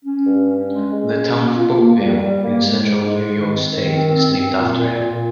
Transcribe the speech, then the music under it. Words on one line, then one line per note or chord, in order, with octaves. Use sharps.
The town of Bouckville, in central New York state, is named after him.
C#4
G2
C#4
G#3
G#3
C#4
A#3
F4
A#3
G3
G3
A#3
G#3
G#2
G#3
D#3
C4
D#3
C4
C4
C4
A#2
A#2
A#2